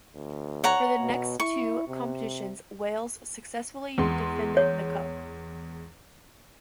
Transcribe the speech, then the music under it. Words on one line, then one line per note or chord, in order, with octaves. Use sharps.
For the next two competitions Wales successfully defended the cup.
D2
C#5 F#5 A#5
B2
E4 C#6
C3
E2 G#3 C6
C#5